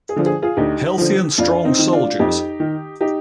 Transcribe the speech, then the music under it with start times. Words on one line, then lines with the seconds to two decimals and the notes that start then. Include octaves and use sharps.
Healthy and strong soldiers!
0.09 G#4
0.16 D3 F3
0.26 G#4
0.42 F4 G#4
0.57 D2 D#4 G4
0.98 D3 F3
1.38 F2 D4 F4
1.65 C4 D#4
1.79 D#3
1.92 D4 F4
2.19 F2 D#4 G4
2.60 D#3
3.01 D#4 G4